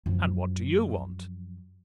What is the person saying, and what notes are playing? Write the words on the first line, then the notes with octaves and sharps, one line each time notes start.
And what do YOU want?
F#2 F3